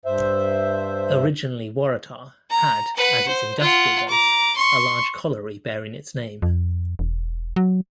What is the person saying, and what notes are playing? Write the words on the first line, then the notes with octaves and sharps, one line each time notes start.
Originally Waratah had as its industrial base a large colliery bearing its name.
G2 C5 E5
A#5
B4 F#5
C5
F4 F#5
A#5 D6
C6 C#6
F2
E1
F#3